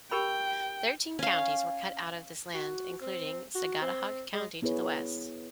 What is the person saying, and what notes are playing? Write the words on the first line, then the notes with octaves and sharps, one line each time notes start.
Thirteen counties were cut out of this land including Sagadahoc County to the west.
G4 A#4 G5 B5
C#4 F5
F#4
C4
F#4
C4
G#3
B3 E4 G#4 B4 C#5